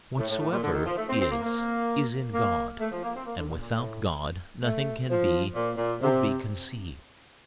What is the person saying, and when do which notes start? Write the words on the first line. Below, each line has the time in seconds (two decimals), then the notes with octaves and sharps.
Whatsoever is, is in God, and without God nothing can be, or be conceived.
0.18 A2
0.29 A2
0.39 A2
0.52 A#2
0.63 D3
0.74 D#3
0.86 F3
0.97 A3
1.09 C4
1.21 C4
1.31 A#3
1.43 A#3
2.34 A#3
2.80 A3
2.91 F3
3.03 A#3
3.15 C4
3.26 A#3
3.37 D3
3.49 A#2
3.60 A#2
3.72 A2
4.63 A3
5.09 F3
5.54 A#2
5.77 A#2
6.01 C3